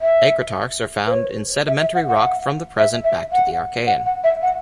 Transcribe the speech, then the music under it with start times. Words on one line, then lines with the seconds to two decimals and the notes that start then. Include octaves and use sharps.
Acritarchs are found in sedimentary rocks from the present back into the Archean.
0.01 E5
1.07 B4
1.12 C#5
1.67 E5
1.80 E5
1.95 F#5
2.08 F#5
2.16 E5
2.22 F#5
2.77 E5
3.04 E5
3.33 F#5
3.87 F#5
4.06 F#5
4.24 E5
4.42 F#5